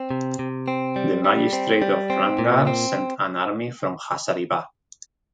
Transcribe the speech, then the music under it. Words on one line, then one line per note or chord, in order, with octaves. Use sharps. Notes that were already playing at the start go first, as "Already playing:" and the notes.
Then magistrate of Ramgarh sent an army from Hazaribagh.
Already playing: C4
C3
C3
C4
G3
G3
C4
G3
C4
A#2
C4